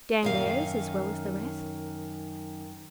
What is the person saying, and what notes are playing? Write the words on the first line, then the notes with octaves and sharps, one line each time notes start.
"Danglars, as well as the rest?"
F#2 D#3 F5